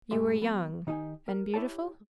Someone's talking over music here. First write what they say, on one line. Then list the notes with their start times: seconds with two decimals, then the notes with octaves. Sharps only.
"You were young, and beautiful?..."
0.11 F#2 A#2 G#3 G4 E5 C6
0.42 F#3 B3
0.87 D#3 D#4 G4 G#5
1.28 A#4
1.54 E4 G4 C#5 G5 A5